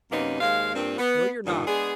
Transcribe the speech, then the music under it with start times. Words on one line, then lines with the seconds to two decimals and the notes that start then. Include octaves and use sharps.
"No, you're not."
0.12 F#2 C3 A#3 B3 C#4 D#4
0.40 D#2 G#3 C5 F5
0.75 G2 A#2 C4
0.98 B3
1.46 G2 A#2 D#3
1.67 G#3 B3 D4 G#4